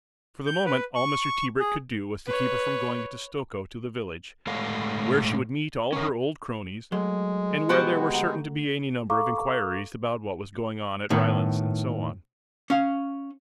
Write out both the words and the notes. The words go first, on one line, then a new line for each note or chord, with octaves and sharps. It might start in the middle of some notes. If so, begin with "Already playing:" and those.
For the moment all Mr. Tebrick could do was to keep her from going into Stokoe to the village, where she would meet all her old cronies and where there were certain to be any number of inquiries about what was going on at Rylands and so on.
G6
B4
C#6
G#4
B4 C#5
A2 G#3 A4 D5 F5 F#5
C#4 A#4
F#3 G#3 A3 C6
B1 B3 F#4 G4 C5
D2 F#5 A#5
A4 F5 A#5 C#6 D6
A2 D#3 B3
C#4 F5